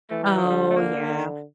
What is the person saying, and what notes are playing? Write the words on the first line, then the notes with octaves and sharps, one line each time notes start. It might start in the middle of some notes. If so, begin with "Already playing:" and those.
Oh, yeah.
E3 A3
G3
F3
D3
G3
A3
A#3
D3